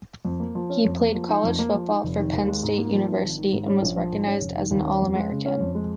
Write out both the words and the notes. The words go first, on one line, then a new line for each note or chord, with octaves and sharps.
He played college football for Penn State University, and was recognized as an All-American.
F2
A#3
F3
C#4
F2
A#3
F3
D#4
F2
A#3
F3
D#4
F1
D#3
D#2
G#3
G#2
A#3
F3
D#4
G#1
D#3
G#2
C#4
A#1
F3
G#2
C#4
F1
D#3
D#2
C#4
F2
G#3
C#3
C#4
F2
G#3